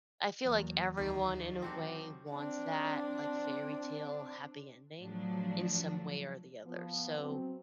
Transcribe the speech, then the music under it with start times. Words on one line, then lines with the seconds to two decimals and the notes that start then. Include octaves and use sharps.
I feel like everyone, in a way, wants that, like, fairytale happy ending, in some way or the other, so,
0.45 E2 F#3 A#3 A#4
0.97 D2 D#3 F#3 B3
1.62 C4 F#4 G4 A5 G6 A#6
2.31 C4 D4
5.00 A2 F3 F#3 D4
6.65 F3 B3
7.19 F#3 C4